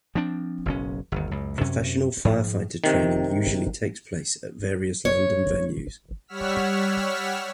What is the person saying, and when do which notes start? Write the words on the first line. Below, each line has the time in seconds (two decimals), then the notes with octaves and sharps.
Professional firefighter training usually takes place at various London venues.
0.15 F3 C4 D4
0.66 F#1 B1 C#4
1.12 G1 D#2
1.31 C#2 F#2
1.61 F#2 C3 C#4
2.25 G#2 F3
2.84 C3 D#3
5.05 C#5
6.28 G3 C#5 F#5 E6 F6 B6